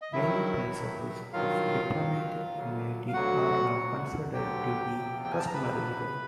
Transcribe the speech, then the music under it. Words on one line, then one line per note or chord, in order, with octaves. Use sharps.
Many principles of diplomatic immunity are now considered to be customary law.
D#5
G2 D#3 F#3 E4 E5
G2 D#3 F#3
G2 D#3 F#3 F4 F5
G2 D#3 F#3
D2 D3 F#3
F5
D2 D3 F#3 F#4 F#5
D2 D3 F#3
D2 D3 F#3 G4 G5
E2 C3 F3
G5
G#5
A5
A#5
E2 C3 F3 B4 B5